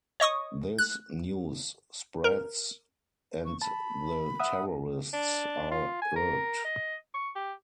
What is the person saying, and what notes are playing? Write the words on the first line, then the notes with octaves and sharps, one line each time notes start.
This news spreads, and the terrorists are irked.
C#5 D#5 C#6 D#6
F#6
A#4
C#6
A5 B5
E5 F#5 D#6
D4
F4
G#5
A#4
D#5
C#6
G4